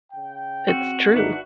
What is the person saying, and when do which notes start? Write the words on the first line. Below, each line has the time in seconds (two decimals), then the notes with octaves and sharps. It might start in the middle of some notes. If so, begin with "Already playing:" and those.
It's true.
0.12 C#3 G5
0.68 C4 F#4
1.14 G#1 D4 D#4 B4 E5 F#5